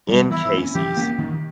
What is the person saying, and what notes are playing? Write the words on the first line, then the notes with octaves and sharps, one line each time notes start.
in Casey's,
G3 B3
E3 E4
A#3
C#4
E3 G4
A#3 C#4
D#3